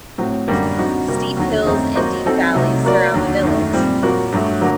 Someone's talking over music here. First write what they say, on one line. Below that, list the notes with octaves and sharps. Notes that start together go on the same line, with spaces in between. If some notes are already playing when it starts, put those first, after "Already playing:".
Steep hills and deep valleys surround the village.
A2 F#3 C4
F#2 D3 G3 A#3
D3 F#3 C4 D#4 F#4
C3 G3 A#3 F#4
D#2 D3 F#3
F#2 D#3 A3 C4 D#4
F#3 A#3 F#4 C5 D#5
F#3 C4 D#4 A4
C2 C3 F#3 A3 D#4
F#3 A#3 F#4 A#4 D5
D#2 D3 F#3
F#2 D#3 A3
A#2 G3 C4
A#2 F#3 A#3 F#4 A#4
G2 F#3 A3
D3 F#3 A#3